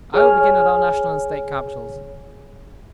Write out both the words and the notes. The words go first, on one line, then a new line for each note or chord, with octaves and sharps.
I will begin at our national and State capitals.
G#4 C#5 G#5 F6